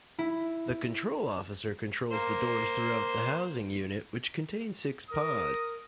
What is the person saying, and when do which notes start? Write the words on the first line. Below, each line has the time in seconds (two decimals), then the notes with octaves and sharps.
The control officer controls the doors throughout the housing unit, which contains six pods.
0.19 E4
2.11 A#3 C5
5.10 A#4 D#6